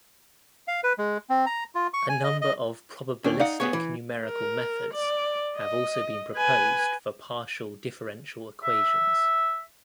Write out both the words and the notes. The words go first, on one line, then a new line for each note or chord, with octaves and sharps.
A number of probabilistic numerical methods have also been proposed for partial differential equations.
F5
B4
G#3
C4
A#5
F4
C#6
G#5
D#5
D#5
D#2 C#4 D4 D5
D#4 D5 F5 F#5
B3 G#4 C#5
E3
A#4
D5
D#5
B4 G#5
E5